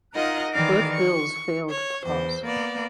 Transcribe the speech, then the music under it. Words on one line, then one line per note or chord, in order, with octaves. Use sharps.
Both bills failed to pass.
D#4 F4 A#4 D#5 F#5
D#3 E3 D5 F5 D6 A#6
C#6
C#5
E2 C5
A#3 B3 D5